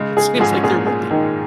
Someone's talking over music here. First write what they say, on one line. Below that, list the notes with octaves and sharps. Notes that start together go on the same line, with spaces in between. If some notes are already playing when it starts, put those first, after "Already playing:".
It seems like there would be.
Already playing: C#3 G#3
G#4
F3
G#2 G#3 G#4
C#4
A#2 A#3 G#4
G#4
D#3